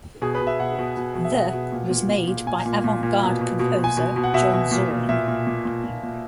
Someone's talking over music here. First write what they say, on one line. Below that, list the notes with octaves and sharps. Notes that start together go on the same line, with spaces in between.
The was made by the avant-garde composer John Zorn.
B2 G#4
B4
B2
E5
B2 F#5
B2
B2
B2
E5
B2 F#5
B2
A#2
A#2
A#2
A#2
A#2 G#5
A#2
A#2
A#2
B2
B2
B2
B2
G#5
B2
B2
F#5
B2 E5
B2
A#2
A#2
A#2 E5
A#2
A#2
A#2
A#2
A#2